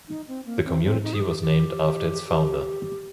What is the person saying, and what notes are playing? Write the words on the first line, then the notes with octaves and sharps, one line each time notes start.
The community was named after its founder.
D#4
C4
A#3
C4
C4
D#4
G#4
G4
G4